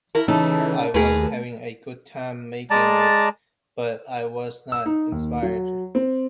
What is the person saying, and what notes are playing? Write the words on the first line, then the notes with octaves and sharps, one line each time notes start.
I was having a good time making it but I was not inspired.
E4 A#4
C#3 E3 A3 D#4 A4
D#2 A3 G#4 A#4 B4
G#3 D5 A5 A#5
E6
D#4
D#2
F#3
C4